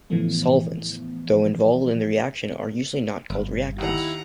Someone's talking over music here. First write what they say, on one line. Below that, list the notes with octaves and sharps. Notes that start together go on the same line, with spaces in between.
"Solvents", though involved in the reaction, are usually not called reactants.
A2 C#3 E3 F3 A3 B3
G1
D#2 E4 F#5 A#5